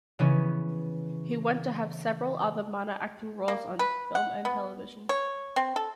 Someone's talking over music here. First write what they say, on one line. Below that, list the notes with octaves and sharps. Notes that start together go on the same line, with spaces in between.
He went to have several other minor acting roles on film and television.
C#3 E3 B3 C#4
A#3
B4
F#5
B3
C#5
C4
A4